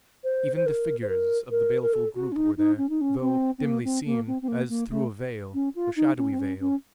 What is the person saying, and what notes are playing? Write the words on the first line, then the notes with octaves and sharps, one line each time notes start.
Even the figures of the baleful group were there, though dimly seen as through a veil--a shadowy veil.
C5
C5
A#4
C5
A#4
A#4
A#4
A4
F#4
C#4
D#4
D#4
C#4
D#4
C#4
C4
C4
A#3
C4
A#3
C4
C4
A#3
A#3
A3
C#4
F4
D#4
C#4
C4
C#4
C#4